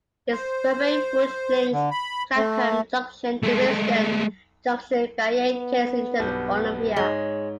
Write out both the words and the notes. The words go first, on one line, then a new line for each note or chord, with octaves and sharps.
This railway route links Clapham Junction to Willesden Junction via Kensington Olympia.
C5
D3
B5
A3
G#3 A3
B3
B1 G2 G6
G#2 G#3 C#5 G7